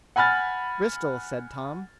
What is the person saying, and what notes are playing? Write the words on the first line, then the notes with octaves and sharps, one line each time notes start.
"Bristol," said Tom.
F#5 G#5 B5 F6 A6